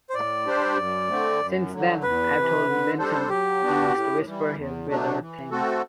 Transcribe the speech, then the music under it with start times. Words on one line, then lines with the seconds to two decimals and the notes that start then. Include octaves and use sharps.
Since then, I’ve told Linton he must whisper his bitter things.
0.09 C5
0.14 A2 D5
0.46 G3 D4 G4 C5
0.77 F#2
1.09 D3 A3 C4
1.40 F#2
1.72 D3 F#3
2.03 E2 B4
2.35 C3 E3
2.66 D3
2.98 G3 D4 A4 C5
3.29 F#3 G4
3.61 B3 D4 F#4
3.93 A2
4.24 E3 G3
4.55 E2
4.87 B2 F#3 A3 D4
5.19 E3
5.51 A3 C4 F#4 A4